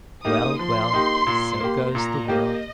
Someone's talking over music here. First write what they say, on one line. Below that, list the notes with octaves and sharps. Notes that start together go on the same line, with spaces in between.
Well, well! so goes the world!'
A#3 D#4 G4 D#6
F3 C6
A#3 D#4 G4
A#2
A#3 G4
A#2 A#5
A#3 G4 D#5